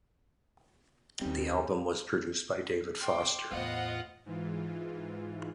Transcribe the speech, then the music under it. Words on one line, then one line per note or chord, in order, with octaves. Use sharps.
The album was produced by David Foster.
D#2 G3 C4 C#4 D#4
G5 C6 D6
E2 A2 B3 F4 C5 D#5 F#5
G#2 E3 F4